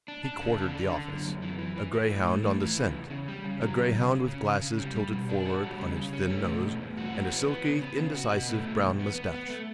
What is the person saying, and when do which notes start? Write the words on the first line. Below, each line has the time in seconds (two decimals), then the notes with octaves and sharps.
He quartered the office, a grayhound on the scent; a grayhound with glasses tilted forward on his thin nose, and a silky indecisive brown mustache.
0.08 D4
0.25 D4
0.42 C#3
0.58 D4
0.75 D3
0.92 D3
1.09 F#2
1.25 F#2
1.42 E3
1.59 E3
1.76 E3
1.93 E3
2.09 A2
2.27 A2
2.43 E3
2.60 E3
2.77 C#3
2.94 E2
3.10 C#3
3.28 G3
3.45 C#3
3.61 F#3
3.77 C#3
3.95 C#3
4.11 C#3
4.28 C#3
4.45 C#3
4.62 C#3
4.78 G3
4.95 G3
5.12 B2
5.29 D4
5.46 F#4
5.63 G3
5.80 C#3
5.96 C#3
6.13 C#4
6.30 A3
6.46 B2
6.63 E2
6.80 A2
6.97 F#4
7.13 E3
7.31 B3
7.48 B3
7.65 C#3
7.81 B3
7.97 C#3
8.15 F#4
8.31 B2
8.49 A3
8.65 B2
8.82 E2
8.99 B3
9.15 B3
9.32 B3
9.50 A3